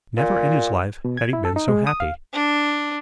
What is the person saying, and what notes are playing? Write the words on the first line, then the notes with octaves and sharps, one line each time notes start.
Never in his life had he been so happy.
A#2
B2
G#6
E4
A4
D#4
G#3
D#6
F5
D4